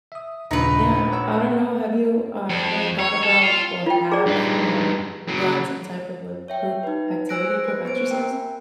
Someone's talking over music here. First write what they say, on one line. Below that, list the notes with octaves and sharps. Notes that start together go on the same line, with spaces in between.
Yeah. I don't know. Have you, ah, ever thought about or have, um, done some type of, like, group activity, group exercise?
E5 D#6
A#1 D#2 C#3 D#4 B4
C#5 F#5 E6
F2
C#5
A4
F4
F4 G5
G#4 D5
G2 D#4
C#3 F#3
C#5 E5 G5
D#4 B4
C5 G#5 E6 F#6 A#6 D7
B4 G#5
B3 C5 D7
A#3 A#4 G5